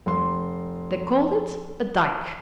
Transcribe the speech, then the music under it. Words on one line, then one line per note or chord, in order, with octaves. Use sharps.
They called it a dyke.
F1 C6